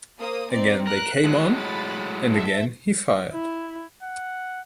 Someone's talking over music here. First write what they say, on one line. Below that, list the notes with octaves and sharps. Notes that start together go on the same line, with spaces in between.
Again they came on, and again he fired.
A#3 C5 D#6
C4 D#4 D5
A#4 F#6
A2 F#3 G#3
B5 A6
A4 E5
E4
F#5